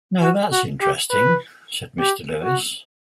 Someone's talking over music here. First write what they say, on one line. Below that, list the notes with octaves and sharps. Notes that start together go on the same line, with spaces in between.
"Now that's interesting," said Mr. Lewis.
F#4
F#4
G4
B4
G4
F#4